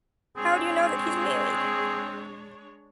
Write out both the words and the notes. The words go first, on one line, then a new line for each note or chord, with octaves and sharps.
How do you know that he’s married?
G#3 C4 D4 G#4 C#5